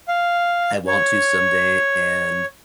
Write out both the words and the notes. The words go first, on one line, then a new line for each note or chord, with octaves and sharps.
I want to someday, and
F5
C#5